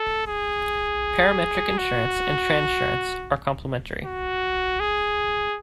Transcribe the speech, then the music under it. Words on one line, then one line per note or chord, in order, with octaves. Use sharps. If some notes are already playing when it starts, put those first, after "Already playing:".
Parametric Insurance and Transurance are complementary.
Already playing: A4
G#4
F#4
F#4
G#4